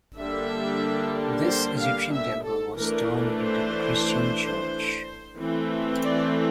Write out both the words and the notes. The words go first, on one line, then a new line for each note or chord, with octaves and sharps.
This Egyptian temple was turned into a Christian church.
D3 G3 A#3 D4 E5
C5
F5
E5
A4
E3 A3 D4 A#4
C5
E3 A3 C4
D5